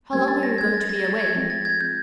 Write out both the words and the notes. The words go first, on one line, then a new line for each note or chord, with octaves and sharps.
"How long are you going to be away?"
G3 A#3 C#4 G#6
A6
A#6
G#6
A6
A#6
A6
G#6
F3 G#3 C4 A#6
A6
G#6
G6